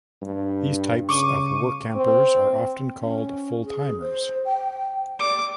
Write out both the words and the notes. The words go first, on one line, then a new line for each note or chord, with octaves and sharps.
These types of Workampers are often called Fulltimers.
G2
C#3 C#6 D6 D#7
C4
C#4
G#4
C5
G5
D5 D6